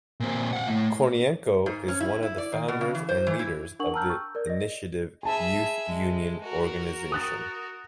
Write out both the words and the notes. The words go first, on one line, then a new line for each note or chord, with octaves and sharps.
Kornienko is one of the founders and leaders of the Initiative Youth Union organization.
A#2 C4
F5 F#5
A2 A3
G#2
C#4
E4
E4
D5
D#3
B2
C#3
E3
C5
E3
E4
D4 A#4 F#5 C#6 F#7
G5 A5 A#5 E6 F6 G6
C#6 E6 G6
A#4 D5
D#5 A#6
G#4 E5 G#5 A5 B5
G#3
F#4 A#4
D#6 F#6 A6